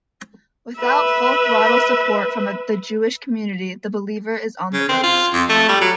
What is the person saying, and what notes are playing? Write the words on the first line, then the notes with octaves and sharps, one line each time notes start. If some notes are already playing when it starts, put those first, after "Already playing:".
Without full-throttle support from the Jewish community, The Believer is on the ropes.
B4 E5
C#3
C4
F4
F2
A3
G3
F#3